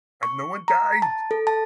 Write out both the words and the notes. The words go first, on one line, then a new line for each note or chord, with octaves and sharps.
And no one died.
C#6
A#5
A5
A4
A5